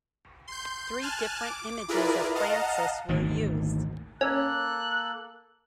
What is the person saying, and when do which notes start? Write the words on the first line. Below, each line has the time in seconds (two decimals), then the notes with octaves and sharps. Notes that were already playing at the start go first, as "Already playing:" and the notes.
Three different images of Francis were used.
0.47 C6 G6
1.01 G#5 A5 F6 F#6
1.44 D6
1.88 E4 F4 G#4 A#4 B4 D5
2.35 D#5 F5 F#5 A5 A#5
3.09 G#1 D2 A#2 D#3
4.21 A#3 C#4 A4 F#6